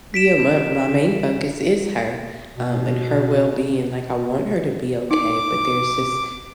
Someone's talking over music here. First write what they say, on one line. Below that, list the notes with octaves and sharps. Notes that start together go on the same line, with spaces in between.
Yeah, my my main focus is her, um, and her well-being, like, I want her to be okay, but there's this
B6 D7 E7
B2
D#4 D6